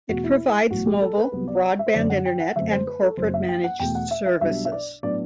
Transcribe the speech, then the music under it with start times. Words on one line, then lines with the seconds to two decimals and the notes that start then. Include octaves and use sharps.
It provides mobile, broadband internet and corporate managed services.
0.09 E2 B2 A3 F#4
0.24 E4
0.71 B1 A2 E3 A3 F#4
0.86 G4
1.02 A4
1.17 B4
1.32 C2 C3 F#3 B3 B4
1.48 D5
1.79 E5
1.87 C5
1.94 F#2 D3 F#3 C4 D5
2.10 F#5
2.25 G5
2.40 F#5
2.56 F#2 D3 A3 C4 E5
2.71 C5
2.87 B4
3.02 A4
3.17 F#1 F#2 F#3 C4 C5
3.34 E5
3.49 G5
3.64 F#5
3.80 E2 B2 A3 G5
3.95 F#5
4.11 E5
4.26 E5
4.41 B1 B2 G3 D4 E5
4.65 E5
4.72 D5
5.03 A2 F#3 B3 D4 D5